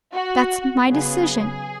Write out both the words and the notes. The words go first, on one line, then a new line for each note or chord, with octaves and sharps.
That's my decision.
F#4
C#3 F#3 B3 G#4